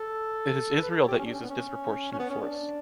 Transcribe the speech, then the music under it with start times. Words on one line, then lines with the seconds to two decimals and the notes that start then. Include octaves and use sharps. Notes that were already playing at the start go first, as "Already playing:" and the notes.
It is Israel that uses disproportionate force.
Already playing: A4
0.82 B4
0.90 A4
1.00 C#5
1.08 G4
1.18 C#4
1.25 D4
1.33 C#4
1.43 B3
1.50 C#4
2.12 C#4
2.19 B3
2.30 C#4
2.42 D4